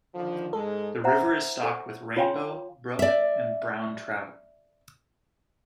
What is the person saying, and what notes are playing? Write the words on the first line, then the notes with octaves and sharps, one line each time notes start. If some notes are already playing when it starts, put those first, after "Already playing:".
The river is stocked with Rainbow, Brook, and Brown trout.
D3 D#3 F3
G#2 G#3 A4
C5 E5 F#5 A#5
A4 F#5 C#6
F4 C#5 F5 G5 G#5 C6
D5 E5